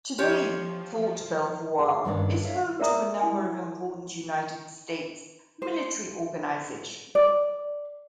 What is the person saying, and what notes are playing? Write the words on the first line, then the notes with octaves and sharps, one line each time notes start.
Today, Fort Belvoir is home to a number of important United States military organizations.
F3 F4 G4 C#5
G#4
G2 D#3 A#3 C#4 D4
A4 C#5 E5 F5
A#4 D5 E5 A#5 D#6
E4 G#5
C5
D5